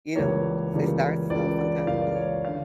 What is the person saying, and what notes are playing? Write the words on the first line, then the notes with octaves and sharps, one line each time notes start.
you know, if they start slow sometimes when
C#2 C#3 E3 G3 A#3 C#5
C#2 C#3 E3 G3 A#3
C#2 C#3 E3 G3 A#3 D5
D5
C#2 C#3 E3 G3 A#3 F5
D5
C#5
D3 F5